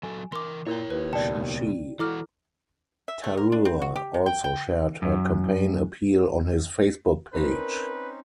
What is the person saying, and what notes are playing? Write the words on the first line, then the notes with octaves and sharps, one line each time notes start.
Shashi Tharoor also shared her campaign appeal on his Facebook page.
F#3 A4 G#5
E3 A#4 C6 D6
A#2 E4 A#4 C#5 G5
D#2 B4
C#2 B2 D5 G5 A5
E3 E4 F#4 A4 D6 F6
E5
A3
A#4
D4
C4
F#4
G4
C3
G5
G5
F#2
C4 C#4 D#4 A#4 B4